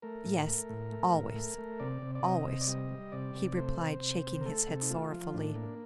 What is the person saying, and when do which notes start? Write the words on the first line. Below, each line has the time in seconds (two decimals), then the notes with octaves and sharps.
"Yes; always, always," he replied, shaking his head sorrowfully.
0.02 A3 A#4
0.26 A2
0.48 A3
0.69 A2
0.92 A3
1.14 A2
1.36 A3
1.58 A3
1.80 C3 D5
2.02 C3
2.15 D5
2.24 C3 D#5
2.46 C3
2.61 D5
2.68 G3 D#5
2.91 G3
3.12 C3 D5
3.35 C3
3.57 A3 C5
3.79 C3
4.01 C3
4.23 C3
4.41 A#4
4.45 A3 A4
4.68 C3
4.82 D#4
4.90 A3 F4
5.11 F3
5.34 A2 D4
5.56 A#3